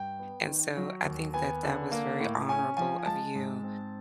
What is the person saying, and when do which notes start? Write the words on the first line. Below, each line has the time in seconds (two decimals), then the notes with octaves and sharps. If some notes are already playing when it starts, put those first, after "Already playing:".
And so, I think that that was very honorable of you,
Already playing: G2 G5
0.19 B3
0.48 D#3
0.77 F#3
1.05 D#2
1.34 B3 G#5
1.63 D3
1.92 A#3
2.20 A2
2.48 C#4 G#5
2.77 F3 G#5
2.99 G#5
3.06 G#3 A5
3.35 G#2
3.63 C4